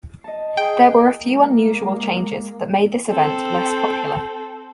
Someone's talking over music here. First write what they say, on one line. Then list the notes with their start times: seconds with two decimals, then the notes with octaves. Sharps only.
There were a few unusual changes that made this event less popular.
0.24 D#5 A5
0.57 G#4 G5
1.21 G#3 A#3
3.10 C4 A4